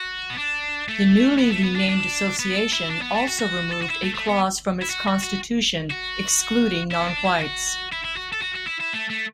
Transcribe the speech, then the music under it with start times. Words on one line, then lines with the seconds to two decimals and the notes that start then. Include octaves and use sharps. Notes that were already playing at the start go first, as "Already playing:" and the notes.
The newly renamed association also removed a clause from its constitution excluding non-whites.
Already playing: F#4
0.30 B3
0.38 D4
0.89 A3
1.38 B3
1.50 A3
1.63 B3
1.76 D4
1.89 D4
2.39 B3
2.56 A4
2.73 E4
2.89 D4
3.02 B3
3.14 A3
3.27 F#4
3.40 F#4
3.73 A4
3.82 F#4
3.90 E4
4.03 A3
4.15 A3
4.28 B3
4.82 E4
4.90 F#4
5.08 F#4
5.23 F#4
5.90 F#4
6.91 E4
7.00 B3
7.08 D4
7.25 E4
7.42 F#4
7.92 E4
8.04 E4
8.17 F#4
8.32 A4
8.42 F#4
8.55 F#4
8.67 E4
8.80 E4
8.93 A3
9.10 A3